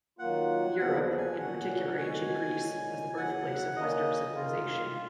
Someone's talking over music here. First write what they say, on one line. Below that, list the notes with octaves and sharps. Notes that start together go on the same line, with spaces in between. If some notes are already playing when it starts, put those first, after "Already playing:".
Europe, in particular ancient Greece, was the birthplace of Western civilization.
D#3 F#3 A#3 F4 F#5
D#2 C#3 F3 B3 F#5
G#5
A#2 F#3 C#4 F#5
F2 D#3 G#3 B3 F#4 G#5
A#2 G#3 C#4
D#2 C#3 F#3 F#5
D#3 A#3 C#4 D#5
F#2 D#3 A#3 F4